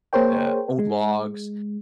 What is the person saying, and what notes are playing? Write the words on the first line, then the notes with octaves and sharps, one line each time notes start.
uh, old logs,
A#3 G#4 A#4 C5 C#5 G5
G#3